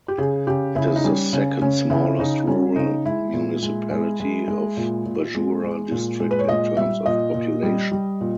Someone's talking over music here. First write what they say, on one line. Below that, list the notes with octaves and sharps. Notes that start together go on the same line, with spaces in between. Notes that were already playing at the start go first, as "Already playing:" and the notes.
It is the second smallest rural municipality of Bajura district in terms of population.
G4
C#3 G#4
C#3 G4
C#3 E4
D#4
G3 C#4
C#3 C#4
C#3 C#4
C#3 E4
C#3 D#4
G3 C#4
C#3 D#4
G#3 E4
A#2
G#3
G#3
G#3
G#3
A#2
A#2
G#3
G#3
A#2
G#3
B4
C#5
A#2 D#5
G3 E5
A#2 D#5
A#2
G3
G3
A#2